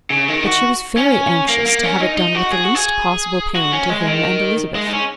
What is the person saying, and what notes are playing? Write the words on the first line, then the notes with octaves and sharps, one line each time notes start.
But she was very anxious to have it done with the least possible pain to him and Elizabeth.
C#3
D#3
D#4
F#4
C#4
A#3
A#3
C#4
D#4
D#4
F#4
G#4
F#4
G#4
F#4
C#4
G#3
D#3
G#3
D#4
C#4